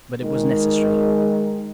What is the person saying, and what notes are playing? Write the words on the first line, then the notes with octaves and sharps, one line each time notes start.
But it was necessary.
D#3 G#3